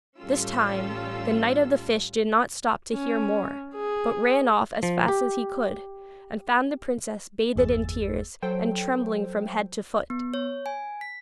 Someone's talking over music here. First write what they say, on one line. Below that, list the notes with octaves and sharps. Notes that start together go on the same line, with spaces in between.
This time the Knight of the Fish did not stop to hear more, but ran off as fast as he could, and found the princess bathed in tears, and trembling from head to foot.
A1 G3 C#4 F4 A4 E6
C#4
G#4
F3
G4
G1 E2 A#3 G#4 E6 A6
F#3 A4 C5 G5
B3
C#5
G#5
B6